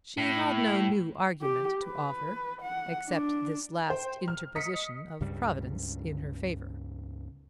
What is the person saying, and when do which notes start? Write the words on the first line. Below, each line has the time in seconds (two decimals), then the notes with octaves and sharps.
She had no new argument to offer,--except this last interposition of Providence in her favour.
0.18 A2
1.41 G4
1.84 B4
2.61 F#5
3.08 D4
3.89 C5 G5
4.28 F6
4.55 D#5 D#6 B6 C#7
5.21 C#2 G2 C#3 G3